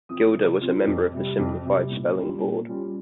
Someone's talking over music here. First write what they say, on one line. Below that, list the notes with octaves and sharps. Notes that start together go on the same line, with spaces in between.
Gilder was a member of the Simplified Spelling Board.
F3 C4 F4 D#6
C3
F3 C4 F4
F2
C3 G3
F2
C3 G3
A#2
G3 C#4 F4
A#2
G3 C#4 F4